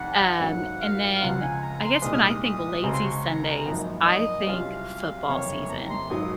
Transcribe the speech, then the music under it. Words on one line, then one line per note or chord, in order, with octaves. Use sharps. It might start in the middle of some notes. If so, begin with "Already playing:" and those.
Um, and then I guess when I think lazy Sundays, I think football season.
Already playing: F1 F2 D#3 F#5
G#1 G#2 F#3 C#4
F5
F5
C#2 C#3 F3 C4 F4 F#5
G#5
A#5
C6
C2 A#2 G#3 D#4 D#6
F6
D#6
D#6
C#2 C#3 G#3 C4 F#4
C6
C#6
A#5
G#1 F#2 F3 A#3 D#4
D#5
C2 C3 F#3 C#4 F4 F5
F#1 F2 C3 C#5
A#5
C6
G#1 G#2 F#3 D#6